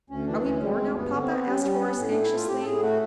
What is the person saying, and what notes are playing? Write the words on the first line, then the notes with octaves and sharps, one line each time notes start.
"Are we poor now, papa?" asked Horace anxiously.
D2 C#4
E3 D4
D2 C#4
G#3
C4
D2
G2 B3
D3
C4
B3
G3 C#4
G3
C#4
B3
A2 C#4
A3 D4
E4
A2 F4
A2 G4
A4
A2 G#4
A3 F#4